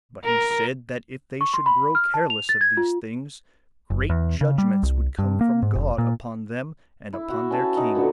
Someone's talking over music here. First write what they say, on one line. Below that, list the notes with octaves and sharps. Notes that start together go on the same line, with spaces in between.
But he said, that if they should grow careless of these things, great judgments would come from God upon them, and upon their king.
A#4
C#6
C6
B5
F6
A5
F7
A6
G#6
F4
F#1
E2
C#3
G3
C2
G2
A#3
G#2
F1
A#2
E4
F#4 E5 F#5
C#4 B4 E5 A5
D#4
A#2 D3 F#3 B3